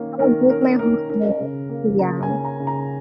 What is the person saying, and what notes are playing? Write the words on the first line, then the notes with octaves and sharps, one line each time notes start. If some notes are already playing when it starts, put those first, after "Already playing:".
that would break my heart, yeah, um,
Already playing: D#3 A#3 C#4
D#3 A#4
C#4 A#4
D#3 A#4
C#4 A#4
C#3
A#3
C#3 A#5
G#5
C#4
A#5
C#3
A#5